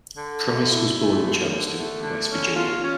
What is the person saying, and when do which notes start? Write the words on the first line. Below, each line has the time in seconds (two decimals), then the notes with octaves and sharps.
Price was born in Charleston, West Virginia.
0.16 D3
0.44 A3
0.70 E4
0.96 A3
1.22 D3
1.49 D3
1.76 A3
2.02 D3
2.29 C#4
2.56 F4
2.82 C#4